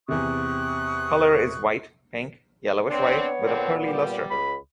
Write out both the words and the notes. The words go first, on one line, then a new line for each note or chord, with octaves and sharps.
Colour is white, pink, yellowish white with a pearly lustre.
E2 C3 C#6 D#6 F#6
B3 C4 D4 C#5
A#2 D3 C4
G3
C#2 B5